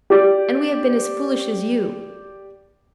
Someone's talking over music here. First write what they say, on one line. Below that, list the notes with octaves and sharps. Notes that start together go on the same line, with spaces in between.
And we have been as foolish as you.
G4 D5